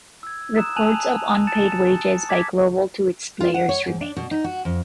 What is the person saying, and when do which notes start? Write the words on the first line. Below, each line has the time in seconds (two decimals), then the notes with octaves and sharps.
Reports of unpaid wages by Global to its players remained.
0.23 E6 G#6
0.57 A#5 D#6 E6 F#6 E7
0.76 G#5 A5 F#6 D#7 F7 F#7
1.47 A5 A6 C#7 E7
2.29 D6 G#6 B6
3.40 F4
3.54 F#5
3.69 C#5
3.87 G#2
4.01 D4
4.17 B2
4.31 D#4
4.44 F#4
4.65 F2